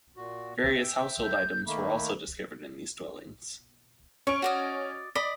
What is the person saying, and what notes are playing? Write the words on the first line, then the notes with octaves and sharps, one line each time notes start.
Various household items were also discovered in these dwellings.
A#2 F#4
E5 G5
G6
D#3 A3 A#3 B5
C#4 C#6 D7
F#4 D5 D#5
D5 D#5 B5